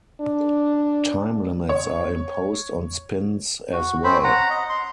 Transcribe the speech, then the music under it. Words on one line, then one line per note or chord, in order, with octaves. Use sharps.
Time limits are imposed on spins as well.
D4
C#5
F#4
C4 C#4 C5 B5
F#5 A#5
D#5
C6